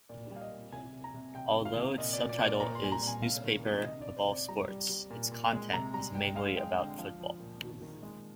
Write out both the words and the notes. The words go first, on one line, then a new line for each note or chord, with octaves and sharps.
Although its subtitle is "newspaper of all sports", its content is mainly about football.
A#2 D5
G3
F5
D#5
A#2
C3 G#5
C3
A#5
C3
C3 G5
D#3
F5
C3
A#2 D#5
D5
A#2
D5
A#2
D5
A#2 A#5
C6
G3 G#5
A#5
A#2
G#5
C3 F5
D#3
C3
C3 D#5
C3 D5
C5
C3
D5
G3 A#5
G3
G3
A#2
A#2
G#3
C3 A#5
G3 A#5
G3 G5
G#3 F5
G#3 G5
D3 G5
F3 F5
F3
A#2
D#3
D#3
G#3